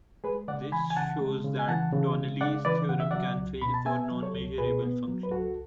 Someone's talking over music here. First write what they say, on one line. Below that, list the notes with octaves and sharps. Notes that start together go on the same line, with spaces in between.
This shows that Tonelli's theorem can fail for non-measurable functions.
G#3 G#4 B4
C#3 D5 F#5
E3 G#5 B5
G#5
C#3 F#5 A5
G#3
C#3
G#5
E3 F#5 A5
C#3
G#3
C#3 D5 F#5
E3 B4 D5
C#3 F#5
E5
F#3 D5 F#5
C#2
B2 B5
A5
B3 E5 G#5
F#3
A4 C#5
C#2
B2 G#4 B4
B3
F#3
B4
C#2 F#4 A4